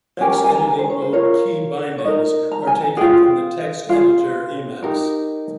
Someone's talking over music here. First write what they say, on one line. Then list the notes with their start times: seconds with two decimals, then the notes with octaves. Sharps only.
Emacs editing mode key bindings are taken from the text editor Emacs.
0.20 C#4 G4 A#4 G#5
0.32 A#5
0.44 G#5
0.55 A#5
0.68 G#5
0.79 C5
0.90 C#5
1.02 C5
1.13 F4 A#4 C#5
1.98 C#5
2.05 D#4 A#4 D#5
2.52 A#5
2.67 G#5
2.97 F4 G#4 G5
3.89 F4 G#4 F5
4.82 D#4 G4 A#4